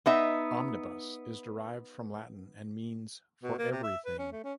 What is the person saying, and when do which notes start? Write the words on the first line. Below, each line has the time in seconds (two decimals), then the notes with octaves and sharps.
"Omnibus" is derived from Latin and means "for everything".
0.06 B3 D#4 E5
3.43 B2
3.59 A#3
3.71 C3
3.83 E5
4.05 B4
4.19 C#4
4.32 A3
4.44 C#4